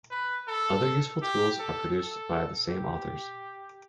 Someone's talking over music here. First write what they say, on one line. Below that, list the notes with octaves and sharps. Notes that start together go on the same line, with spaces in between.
Other useful tools are produced by the same authors.
B4
A4
G4
A4
A4
G4